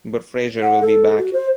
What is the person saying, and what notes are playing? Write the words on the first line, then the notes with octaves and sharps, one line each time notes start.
But Fraizer will be back.
F#5
A4
F#4
C5